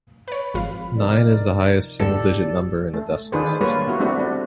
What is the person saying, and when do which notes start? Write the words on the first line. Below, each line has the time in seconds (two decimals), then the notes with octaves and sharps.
Nine is the highest single-digit number in the decimal system.
0.28 B4 C#5 B5
0.54 G#1 F3 C4 F4 F5 B5
0.97 C3 D#4 A#4 D5
2.00 E2 G#2 D3 G4 A4 D5
2.94 A3
3.32 D#3 D4 F4 G#4 B4 C5
3.61 G3 A#3 F4 B4 C#5
3.88 B3 E4 F#4
3.99 G3 A3 C4 D4 F#4
4.19 D4